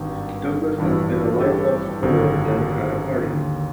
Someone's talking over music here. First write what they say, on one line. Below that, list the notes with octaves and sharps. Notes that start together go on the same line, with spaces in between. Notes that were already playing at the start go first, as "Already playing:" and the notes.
Douglas has been a lifelong supporter of the Democratic Party.
Already playing: G#1 G2 D#3
A1 G2 E3
G4 A4
G#1 F#2 D3
D#2 D3